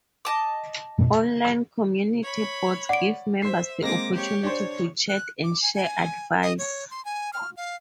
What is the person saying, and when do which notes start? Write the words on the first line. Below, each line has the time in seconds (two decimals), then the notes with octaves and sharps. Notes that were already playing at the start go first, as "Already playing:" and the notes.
Online community boards give members the opportunity to chat and share advice.
0.25 D#5 A5 D6
2.23 C#5 B5
2.89 D5 F#5 D7
3.42 C5 E5 C7
3.82 G#3 A#3 C4 D6 A#6
4.13 G4 C#5
4.43 D4 C5 C#5
5.09 F#6
5.44 D6
5.62 G#5
5.74 G#5
6.42 D#5
6.58 C#5
6.91 C6
7.05 G#5
7.33 F6
7.57 F5